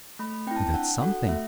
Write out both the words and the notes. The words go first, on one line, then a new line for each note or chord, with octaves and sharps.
And that's something.
A3 B5
C4 E4 G5
A5
D4 F#5
F#4 A4 F#5
A3 E5